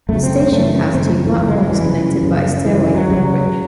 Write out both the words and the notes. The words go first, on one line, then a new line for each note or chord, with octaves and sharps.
The station has two platforms, connected by a stairway footbridge.
F#2 C#3 A3
C4
C4
F#2 C#3 A3
F#2 C#3 C4
A3
E3
F#2 C#3 E3
G#3
F#3
E3
F#2 C#3
F#2 C#3
F#2 C#3 E3
E3
F#3
F#2 C#3 F#3